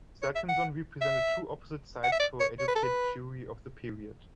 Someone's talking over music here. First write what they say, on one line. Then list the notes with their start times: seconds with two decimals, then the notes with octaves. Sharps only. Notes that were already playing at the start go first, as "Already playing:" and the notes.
Salkinsohn represented two opposite sides for educated Jewry of the period.
0.22 C#5
0.35 E5
0.49 F#5
1.01 E5
2.04 F#5
2.12 E5
2.20 D5
2.40 C#5
2.59 C#5
2.68 B4
2.75 A4
2.83 B4